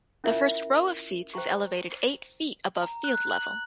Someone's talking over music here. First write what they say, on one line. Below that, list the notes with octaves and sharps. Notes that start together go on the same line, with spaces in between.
The first row of seats is elevated eight feet above field level.
C#4 E4 F4 A#4 E5
C5 G5 A#5 C#6
A#5
F#6
F#7